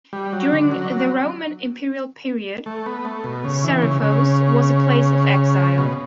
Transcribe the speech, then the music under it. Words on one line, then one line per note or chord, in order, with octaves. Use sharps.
During the Roman imperial period, Serifos was a place of exile.
G3
F#3
D3
F#3
F#3
A3
B3
A3
B2
C#3
E3
C#3
C#3
B2